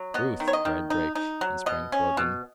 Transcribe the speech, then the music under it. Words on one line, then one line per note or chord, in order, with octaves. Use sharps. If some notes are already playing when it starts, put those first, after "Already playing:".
"Ruth!" cried Drake--and sprang toward them.
Already playing: F#3
B3 D#5
D#3
C#5
D#5
D#3
D#4
D#4
F#3
B2 D#5
C#4
B2